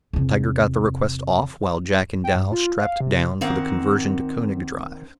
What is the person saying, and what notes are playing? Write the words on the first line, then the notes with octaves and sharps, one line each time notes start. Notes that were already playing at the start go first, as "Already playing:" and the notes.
Tiger got the request off while Jack and Dal strapped down for the conversion to Koenig drive.
E2 C3
G5
G2
F4
F5
C3
D#3 A#3 C4 F#5